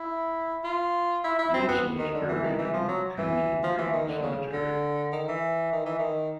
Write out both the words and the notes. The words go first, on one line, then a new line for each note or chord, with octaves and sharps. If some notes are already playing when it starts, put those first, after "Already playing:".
Wilson is buried in Kensal Green Cemetery.
Already playing: E4
F4
E4
E4
C4
B3
D#3
D3
E3
D#3
E3
F3
F#3
E3
F3
E3
D#3
D3
C#3
D3
D#3
E3
D#3
E3
D#3